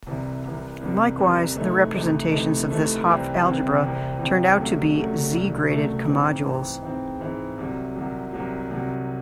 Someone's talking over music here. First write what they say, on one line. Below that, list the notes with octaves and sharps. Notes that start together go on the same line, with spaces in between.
Likewise the representations of this Hopf algebra turn out to be Z-graded comodules.
C2 C3 E3
C2 C3 E3
C2 C3 E3
C2 C3 E3
C3 E3 A3 D#4
C3 E3 A3 D#4
C3 E3 A3 D#4
C3 E3 A3 D#4
C2 C3 E3 C4
C2 C3 E3 C4
C2 C3 E3 C4
C2 C3 E3 C4
C2 C3 F#3 A3 C#4
C2 C3 F#3 A3 C#4
C2 C3 F#3 A3 C#4
C2 C3 F#3 A3 C#4
G#2 E3 C4
G#2 E3 C4
G#2 E3 C4
G#2 E3 C4
C2 C3 F#3
C2 C3 F#3
C2 C3 F#3
C2 C3 F#3